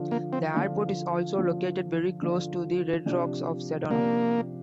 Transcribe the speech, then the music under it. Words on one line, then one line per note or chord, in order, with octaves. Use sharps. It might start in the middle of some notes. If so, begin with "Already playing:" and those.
The airport is also located very close to the Red Rocks of Sedona.
Already playing: D3 F3 D4 F4
A#3
C4
D3 F3 D4 F4
D3 F3 D4 F4
D3 F3 D4 F4
C3 F3 D4 G4
C3 F3 A#3 D4 G4